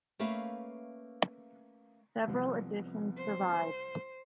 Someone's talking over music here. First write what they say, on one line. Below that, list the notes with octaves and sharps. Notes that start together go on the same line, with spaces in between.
Several editions survived.
A3 A#3 C#4 B4 E5 F5
C2 F3 B3 C4
C5